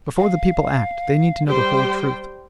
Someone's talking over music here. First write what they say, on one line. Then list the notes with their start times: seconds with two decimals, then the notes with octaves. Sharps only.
Before the people act, they need to know the whole truth.
0.18 F5
1.46 G3 G4 C5 G5